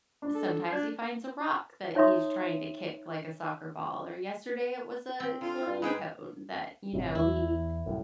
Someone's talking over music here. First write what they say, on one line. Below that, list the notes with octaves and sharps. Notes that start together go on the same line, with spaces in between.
sometimes he finds a rock that he's trying to kick like a soccer ball, or yesterday, it was a pine cone that, you know, he
D4
A4
D4 G#6
D#4 C#5 E5 C6 D#6
C4
D3 F4
C4
G2
G#2 G#3 G#4 B4 G5
G1 A2 C3
E2 E4
C2 F#2 A2